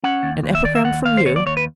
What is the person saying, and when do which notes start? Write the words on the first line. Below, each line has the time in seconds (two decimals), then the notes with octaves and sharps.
An epigram from you?
0.04 C#4 F#5
0.23 D#2
0.43 D#2
0.55 E5
0.64 D#3 D5
0.75 E5
0.84 D#2 F#5
1.05 D#2 F5
1.17 C5
1.25 D#2 C#5
1.36 D5
1.46 D#2 C#5
1.57 B4